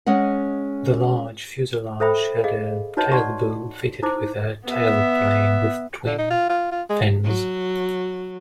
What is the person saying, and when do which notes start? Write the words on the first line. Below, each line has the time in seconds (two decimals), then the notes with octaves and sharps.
The large fuselage had a tailboom fitted with a tailplane with twin fins.
0.06 G#3 C#4 D#5 F#5
2.00 A4 C5 E5 G5 B5
2.44 G#4 D#5 F5
2.97 D#4 F#4 B4 C#5 D#5 A5
3.12 D5 F#5 A5 C6 C#6
4.03 D#4 E4 C5 D6
4.67 B3 E5
6.06 D3
6.18 D#4
6.30 F4
6.49 F4
6.72 F4
6.89 G#3
7.24 F#3